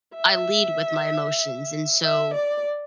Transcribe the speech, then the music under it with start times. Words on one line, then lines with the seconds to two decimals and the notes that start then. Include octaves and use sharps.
I lead with my emotions, and so,
0.17 E5
2.03 E5
2.34 D5